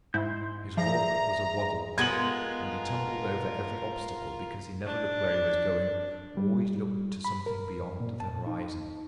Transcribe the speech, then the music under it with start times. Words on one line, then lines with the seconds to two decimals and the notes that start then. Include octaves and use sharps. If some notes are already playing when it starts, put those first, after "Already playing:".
His walk was a waddle, and he tumbled over every obstacle, because he never looked where he was going, always looked to something beyond the horizon.
0.14 G#2 E4 C6 G6
0.77 F3 G#4 D5 E5 A#5
1.98 G#3 B3 F4 A4 A#4 G#6 F#7
4.86 D4
6.37 G3
7.25 B5
7.46 A#4
8.00 A#2
8.20 A5
8.47 D#4